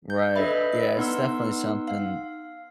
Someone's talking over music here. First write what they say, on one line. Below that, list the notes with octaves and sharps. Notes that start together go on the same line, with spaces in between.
Right. Yeah. It's definitely something
G6
D4 A4 B4 D#5 E5 B5
B3 D#4 F#5 C6 E6
F5